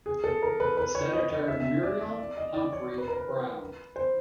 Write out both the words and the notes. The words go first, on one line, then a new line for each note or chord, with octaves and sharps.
Senator Muriel Humphrey Brown.
G#4
A4
A#4
B4
B4
C#5
D#5
D#5
E5
E5
D5
D5
D5
D#5
D5
C#5
B4
A#4
B4
C5